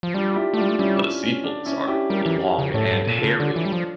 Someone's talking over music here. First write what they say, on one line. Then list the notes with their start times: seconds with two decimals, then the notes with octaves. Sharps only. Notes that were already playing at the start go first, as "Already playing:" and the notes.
The sepals are long and hairy.
0.03 F3
0.14 G3 D4 F4
0.31 F4
0.36 E4 G4
0.54 A3
0.57 G3 D4 F4
0.69 A3
0.79 G3 C#4 E4
1.01 C#4
1.23 C#4
1.44 D4
1.65 C#4 E4
1.87 E4 G4
2.10 G3 G4 A#4
2.26 E3
2.59 C#3
2.74 A2 A4 C#5
2.91 G2
3.07 A#2
3.18 F4 A4
3.24 C#3
3.39 D3 D4
3.56 E3
3.65 G3
3.72 F3